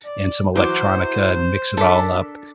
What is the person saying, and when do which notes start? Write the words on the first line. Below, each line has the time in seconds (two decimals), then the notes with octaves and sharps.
and some electronica and mix it all up.
0.05 D5
0.56 E3 F#3 C5 C6 D6
1.77 D4 A4 A#4 B6